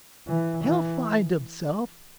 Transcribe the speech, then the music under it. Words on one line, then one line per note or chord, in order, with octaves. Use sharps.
He'll find himself.
E3
E3